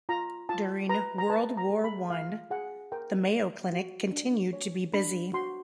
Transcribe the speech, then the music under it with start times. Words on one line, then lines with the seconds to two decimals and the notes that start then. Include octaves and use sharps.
During World War One, the Mayo Clinic continued to be busy.
0.09 F4 A#5
0.49 F4 A5
0.89 B4 A#5
1.18 A#5
1.29 B4 A5
1.57 A#5
1.70 G#4
1.84 B5
2.10 F4 F5
2.51 G#4 F#5
2.92 A#4 G5
3.32 C#5
3.72 F#4
4.12 D4
4.53 C#5
4.94 D4 B5
5.33 F#4 C6